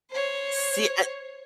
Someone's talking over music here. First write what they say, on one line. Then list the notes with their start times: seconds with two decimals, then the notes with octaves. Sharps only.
See, I
0.10 C5 C#5